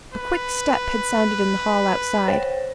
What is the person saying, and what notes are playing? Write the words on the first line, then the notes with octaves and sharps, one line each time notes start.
A quick step had sounded in the hall outside.
B4
C5 C#5 G5